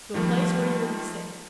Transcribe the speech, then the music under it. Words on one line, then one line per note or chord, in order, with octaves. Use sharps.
"To a place where you will be safe."
D#3 F3 G3 A3 A#3